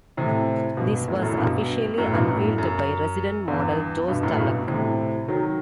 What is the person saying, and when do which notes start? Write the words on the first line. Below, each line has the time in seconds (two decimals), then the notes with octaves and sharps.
This was officially unveiled by resident model Josh Tallack.
0.17 A2 C3
0.77 G2 B2
1.08 F#2 A2
1.22 F#2 A2
1.38 G2 B2
1.98 F#2 A2
2.13 G2 B2
2.28 F#2 A2
2.58 F#2
3.48 E2 G2
4.08 G2 B2
4.23 F#2 A2
4.38 G2 B2
4.68 A2 C3
5.28 D#3 F#3